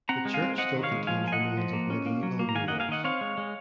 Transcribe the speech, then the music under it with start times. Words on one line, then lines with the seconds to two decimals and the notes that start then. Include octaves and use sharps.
The church still contains remains of medieval murals.
0.09 C4 F#5 A#5
0.25 G#3
0.34 F5 G#5
0.41 C4
0.58 C4 D#5 F#5
0.75 D#3
0.83 C#5 F5
0.91 G#3
1.07 F3 F5 G#5
1.24 A#3 G#5
1.32 D#5 F#5
1.41 F3
1.57 F3
1.73 A#3
1.90 C#4
2.06 A#3
2.23 F#3
2.39 A#3
2.49 A#5
2.55 D#3 F5 G#5
2.68 A#3 D#5 F#5
2.80 F5 G#5
2.88 D#3 D#5 F#5
3.04 C4 C#5 F5
3.21 G#3
3.38 G#3